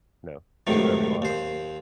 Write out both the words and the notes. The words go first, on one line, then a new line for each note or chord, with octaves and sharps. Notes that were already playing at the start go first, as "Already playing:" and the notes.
you know, do whatever you want.
C#2 F#2 A2 C3 D#3
D#2 C5